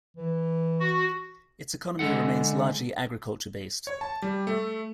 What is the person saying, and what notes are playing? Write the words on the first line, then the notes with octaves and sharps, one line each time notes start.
Its economy remains largely agriculture-based.
E3
F#4
D3 G#3 A4 F#5
C#5
A5
G3
A3